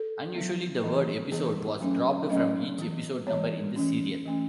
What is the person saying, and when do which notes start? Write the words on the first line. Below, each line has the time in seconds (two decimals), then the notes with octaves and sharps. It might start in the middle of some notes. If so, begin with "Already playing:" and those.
Unusually, the word "episode" was dropped from each episode number in this serial.
Already playing: A4
0.35 F#3 B3
0.84 E3 B3
1.32 E3 B3 G#4
1.81 F#3 A3 C#4
2.30 F#3 A3 C#4 D#5
2.79 E3 B3
3.27 E3 B3 C#5
3.76 E3 A3 C#4
4.25 E3 A3 C#4